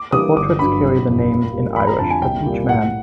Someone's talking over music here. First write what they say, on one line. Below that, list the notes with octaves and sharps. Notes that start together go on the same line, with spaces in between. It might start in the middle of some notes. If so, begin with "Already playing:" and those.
The portraits carry the names in Irish of each man.
Already playing: D6
E3 G3 A#3 D4 D#6
G1 D6
G2 D3 F#3 B5
F#1
F2 C3
A#2
G3 A#3 C#4
F1 B5
A#5
F2 D3 F3 A5
G#5
C2 G5
A#2 G3
A2 F#5